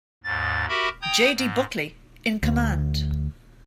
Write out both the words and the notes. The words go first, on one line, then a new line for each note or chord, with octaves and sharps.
J. D. Buckeley in command.
D#2 G#2 A6
F#4 G4 A#4 E5 B5
G5 A#5 D#6 G6 G#6
G#2
D2